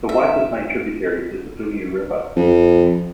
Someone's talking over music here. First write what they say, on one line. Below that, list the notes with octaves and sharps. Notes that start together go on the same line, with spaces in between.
The Waipa's main tributary is the Puniu River.
E5
F2